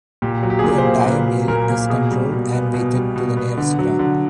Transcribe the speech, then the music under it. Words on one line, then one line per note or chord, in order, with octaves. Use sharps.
The entire meal is controlled and weighted to the nearest gram.
A#2 G4
F#3
G4
G#4
A#2 G4
C5
A#3
A#2 B4
F#3
A#2 A#4
A#3
B2 G#4
G3
B2
B3
B2
G3
B2
B3
D3
F#3
D3